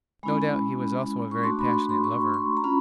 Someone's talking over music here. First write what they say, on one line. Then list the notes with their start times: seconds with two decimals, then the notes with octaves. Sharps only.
No doubt he was also a very passionate lover.
0.23 G#3 C#4 E4 B5
1.31 C#6
1.43 A3 D4 F#4 C6
1.59 B5
1.74 C6
1.89 C6
2.04 C#6
2.34 C6
2.57 A#5
2.64 C#4 F4 B5